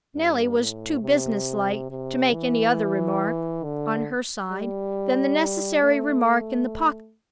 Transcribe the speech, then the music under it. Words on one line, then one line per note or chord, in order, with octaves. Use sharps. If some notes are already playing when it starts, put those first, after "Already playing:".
Neelie was too business-like to make any other remark, on her side, than the necessary remark in the pocket-book.
G2
A2
C3
C3
E3
D3
G3
A3